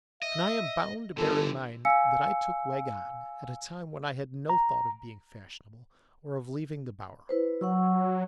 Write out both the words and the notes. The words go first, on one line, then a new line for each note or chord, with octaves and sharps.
And I am bound to bear in mind that I took Wegg on, at a time when I had no thought of being fashionable or of leaving the Bower.
D#5 E5
G1 D3 E3 A4
F5 G#5 E6 C#7
A#5
E4 B4 C5
F#3 F#5 C#6 E6